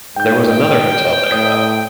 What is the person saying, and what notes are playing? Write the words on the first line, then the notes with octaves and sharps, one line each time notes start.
There was another hotel there, though.
G#2 G5 G6
D#5 G5
A2 D#6